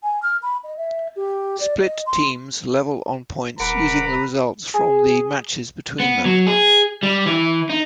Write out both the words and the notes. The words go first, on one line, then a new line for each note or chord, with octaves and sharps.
Split teams level on points using the results from the matches between them.
G#5
F6
B5
D#5
E5
G4
D5
D#5
C6
D#1 A#4 B4 F#5 A#5 B5 D6
G#4
B3
F#3
G#4
G3
E3
D#4